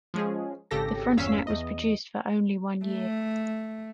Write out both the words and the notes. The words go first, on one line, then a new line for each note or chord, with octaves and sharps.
The Frontenac was produced for only one year.
F3 G#3 C#4 G#4
G#1 C#3 G4 A4 A#6
G1 E2 C#4 F5 E6 B6
E2 D#5
A3